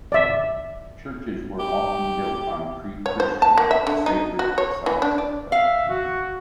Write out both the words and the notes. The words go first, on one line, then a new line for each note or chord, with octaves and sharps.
Churches were often built on pre-Christian sacred sites, though.
D5 E5
G4
C#5
C5
A5
A#3
E5
D3
D#4
F#4
C#5
E3
D4
D5
E5 F5
F#4